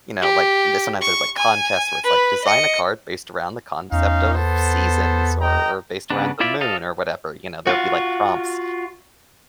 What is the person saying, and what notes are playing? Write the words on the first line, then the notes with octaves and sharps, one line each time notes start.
you know like, this one has those, like, contests where it's, like, "Design a card based around the concept of seasons," or or "based around the moon," or whatever, you know, there'll be like prompts,
G4
C#6
G#5
B4 B5
D#5 C#7
E2 C#4 D#4 F5
B3 A4 C5
D#5 G5 A#5
C#3 B3 D4
E4 F4 D5 E5
A4 D#5 F5 A5
F4 F#4